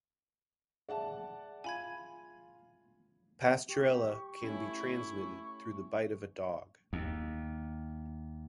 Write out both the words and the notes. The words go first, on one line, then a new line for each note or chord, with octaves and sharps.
Pasturella can be transmitted through the bite of a dog.
G#4 D5 E5 F#5 A5
F4 G#5 B5 G#6 D#7
G4 C#6
A3 C#4 E4
D#2